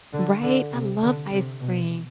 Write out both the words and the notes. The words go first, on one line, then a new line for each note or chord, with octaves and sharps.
Right, I love ice cream,
D3
D3
C3
D3
C3
B2